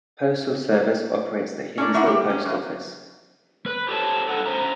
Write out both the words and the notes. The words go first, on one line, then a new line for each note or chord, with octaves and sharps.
Postal Service operates the Hinesville Post Office.
C#4 D4 A#4 B4 D5
A3 D#4 E4 D5 F#5
G3 G4
C#4
F#2 A#3
B4
G4 A4 C5 C#5 A5
G2 D#4 A4 F#5
C#4 C5 A#5